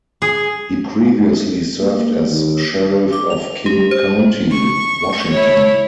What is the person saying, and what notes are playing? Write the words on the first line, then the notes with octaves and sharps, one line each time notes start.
He previously served as sheriff of King County, Washington.
G#4
A#3
D#2
D6
F7
G4
C5
C#6
E4 C#5